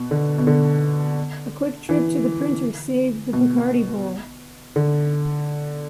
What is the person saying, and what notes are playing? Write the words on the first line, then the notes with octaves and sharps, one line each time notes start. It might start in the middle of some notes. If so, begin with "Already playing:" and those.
A quick trip to the printer saved the Bacardi Bowl.
Already playing: B2
D3
B2
D3
E3
B2
D3